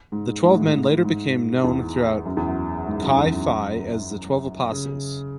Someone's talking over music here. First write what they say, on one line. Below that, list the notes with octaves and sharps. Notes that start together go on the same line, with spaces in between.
The twelve men later became known throughout Chi Phi as the "Twelve Apostles".
G#2
G#2
A2
G#2
G#2
E2
F#2
E2
F#2
G#2
F#2
E2
F#2
C#3